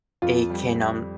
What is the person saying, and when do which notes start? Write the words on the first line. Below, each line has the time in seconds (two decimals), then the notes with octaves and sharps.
it can, um
0.22 F2 F4
0.50 G3
0.76 G3